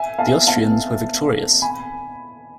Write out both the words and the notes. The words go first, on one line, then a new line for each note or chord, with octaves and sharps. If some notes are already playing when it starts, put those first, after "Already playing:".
The Austrians were victorious.
Already playing: E5 G#5
F5 A5
F5 A5
G#5 B5